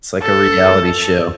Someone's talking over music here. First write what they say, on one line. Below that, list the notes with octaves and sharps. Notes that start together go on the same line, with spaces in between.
It's like a reality show,
A4